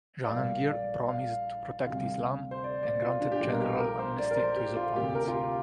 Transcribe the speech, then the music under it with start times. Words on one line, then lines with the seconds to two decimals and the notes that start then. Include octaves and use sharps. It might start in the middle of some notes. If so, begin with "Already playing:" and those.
Jahangir promised to protect Islam and granted general amnesty to his opponents.
0.25 D5
0.31 A#1 A#2 G3 A#3 F5
0.70 D5
1.09 F5
1.86 D2 C3 G3 F5
2.51 C5
2.64 D5
2.83 D5
3.02 F4
3.21 D4
3.32 G4
3.40 A#1 A#2 G3 F4
3.53 A#4
3.60 G4
3.80 A#4
3.99 C5
4.19 D5
4.31 A#4
4.37 C5
4.56 G4
4.76 F4
4.95 D2 C3 A#3 G4
5.15 A#4
5.28 F4
5.34 G4